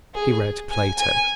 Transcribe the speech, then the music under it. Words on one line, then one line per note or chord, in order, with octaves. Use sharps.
He read Plato.
G#4
G#5
G#5